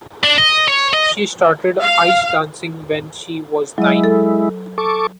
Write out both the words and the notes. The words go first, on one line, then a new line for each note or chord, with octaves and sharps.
She started ice dancing when she was nine.
D4
D#5
C#5
D#5
F5
F#3 G#3 E4 D#5
A4
A4 C#6 D6